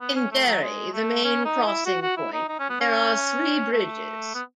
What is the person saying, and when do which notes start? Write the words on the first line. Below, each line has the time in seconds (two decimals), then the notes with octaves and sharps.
In Derry, the main crossing point, there are three bridges.
0.01 B3
0.16 C#4
0.31 A3
0.47 F#3
0.62 G#3
0.93 A3
1.24 C#4
1.45 D#4
1.66 E4
1.86 F#4
2.02 F#4
2.17 E4
2.33 D#4
2.48 D#4
2.59 C#4
2.70 B3
2.80 C#4
3.72 A3
4.34 B3